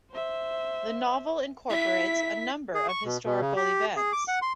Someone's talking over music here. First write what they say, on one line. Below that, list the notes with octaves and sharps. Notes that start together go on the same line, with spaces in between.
The novel incorporates a number of historical events.
C5 E5
E4 E5 B6
G#4
C#6
B2
B2
C#3
G4
G#4
D6
F#5
C6